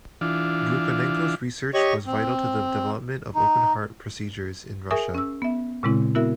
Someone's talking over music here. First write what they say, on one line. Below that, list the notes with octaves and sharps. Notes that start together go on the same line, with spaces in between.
Brukhonenko's research was vital to the development of open-heart procedures in Russia.
E3 D4 F4
G4 C#5 D#5 C#6
C4
D#4
G#4 A#4 E5 G#5 C#6 D#6
C#4 E6
B3 E5
A#2 C#3 G#3 C4 E4
B3 E4 F#4 A#4 E5